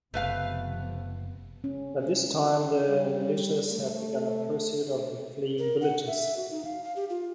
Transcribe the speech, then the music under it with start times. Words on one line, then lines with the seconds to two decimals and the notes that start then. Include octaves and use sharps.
By this time the militias had begun a pursuit of the fleeing villagers.
0.14 F#1 C3 F3 A3 B3 B4 F5
1.64 C#4
2.88 G3
3.71 A3
5.58 A#4
5.81 F#5
6.07 E5
6.37 F#4
6.51 D#4
6.64 F5
6.84 F5
6.96 G4
7.10 F4